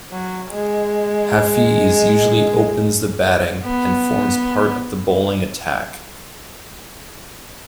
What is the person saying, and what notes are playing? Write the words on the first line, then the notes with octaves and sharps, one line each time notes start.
Hafeez usually opens the batting and forms part of the bowling attack.
F#3
G#3
B3